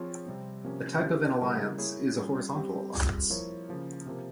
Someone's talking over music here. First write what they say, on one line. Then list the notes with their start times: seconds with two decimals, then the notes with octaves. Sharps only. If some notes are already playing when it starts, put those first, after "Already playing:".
A type of an alliance is a horizontal alliance.
Already playing: F3 C4 F4 G#4 C#5
0.26 C3 G3 C4
0.64 C3 F3 A#3 C#4
1.02 A#3 C#4 E4 G4 C5
1.41 C#3 G3 A#3 E4 A#4
1.78 A#3 E4 G#4 C#5
2.16 G3 C#4 F4 G#4
2.54 G3 C4 G4
2.93 G3 C4 F4 G#4
3.30 F3 A#3 E4 A#4 C#5
3.69 C#3 F3 A#3
4.06 C3 F3 A#3